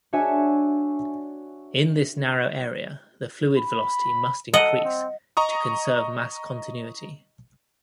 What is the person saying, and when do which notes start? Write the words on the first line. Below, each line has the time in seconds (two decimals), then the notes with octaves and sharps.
In this narrow area the fluid velocity must increase to conserve mass continuity.
0.13 D4 F#4 C#5 E5 G#5
3.57 B5
4.54 A4 D#5 F#5
4.84 C4
5.37 D#5 A#5 C#6 D#6